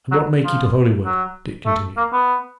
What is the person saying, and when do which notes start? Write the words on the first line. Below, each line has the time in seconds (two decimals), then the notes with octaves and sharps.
"And what make ye to Holywood?" Dick continued.
0.11 F#3
0.43 F3
1.04 F#3
1.66 A3
1.97 A#3
2.12 B3